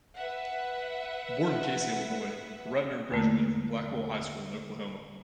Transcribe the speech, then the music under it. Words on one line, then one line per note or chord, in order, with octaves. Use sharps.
Born in Casey, Illinois, Ratner graduated from Blackwell High School in Oklahoma.
B4 E5 F#5
E2 D3 A3 A#3